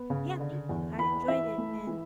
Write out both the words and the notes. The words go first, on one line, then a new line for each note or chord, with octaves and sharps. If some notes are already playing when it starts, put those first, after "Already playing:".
Yeah, thank you, I enjoyed it, and
Already playing: B3
C#3
D3
E2
E3 B5
E3 E5
A3
E3